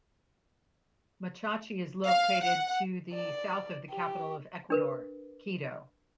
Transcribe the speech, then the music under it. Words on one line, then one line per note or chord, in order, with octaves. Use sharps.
Machachi is located to the south of the capital of Ecuador, Quito.
F5
F#5
D5
G4
D4 A#4 B4